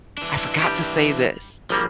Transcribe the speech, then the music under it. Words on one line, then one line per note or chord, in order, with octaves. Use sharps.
I forgot to say this'"
E3 D4
G3 G4
G#1 F3 G3 A#3